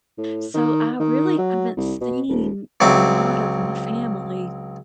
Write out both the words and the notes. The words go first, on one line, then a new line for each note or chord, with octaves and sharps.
so I really haven't seen a lot of my family
A2
D#3
D#3
F#3
C2
B2
D#1
C#2 F#3 C4 E5 D6